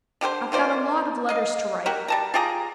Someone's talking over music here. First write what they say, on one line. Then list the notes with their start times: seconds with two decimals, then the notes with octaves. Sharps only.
I've got a lot of letters to write.
0.21 D3 G4 A#4 C5
0.52 D#3 F4 C5 D5
1.29 D#5 F5
1.86 F#4 G4 A#4
2.08 G3 A5 A#5
2.34 F4 G4 G#4 A#5